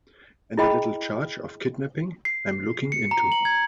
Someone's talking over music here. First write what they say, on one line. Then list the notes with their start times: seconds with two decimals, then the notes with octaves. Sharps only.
And a little charge of kidnapping I'm looking into.
0.58 E4 G#4 D#5 G5 B5
2.25 C7
2.92 C#7
3.11 A#5
3.32 F#7
3.45 G#6